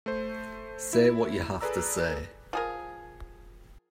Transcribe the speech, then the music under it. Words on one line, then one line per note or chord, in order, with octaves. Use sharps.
Say what you have to say.
A3 C5
E4
G#4 A4 B4 D5 A#5 E6
F3 G#4 A#4